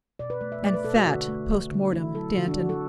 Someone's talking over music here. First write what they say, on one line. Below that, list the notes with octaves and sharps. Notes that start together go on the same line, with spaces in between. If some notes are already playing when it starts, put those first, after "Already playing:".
And fat, postmortem, Danton.
B2 D5
B4
A3 D5
E5
A3 D5
B4
B2 A4
F#4
D3 F#4
A3
A3
D3
A3 E4
F#3 A4
D3 F#4
D4
D3 F#4
A4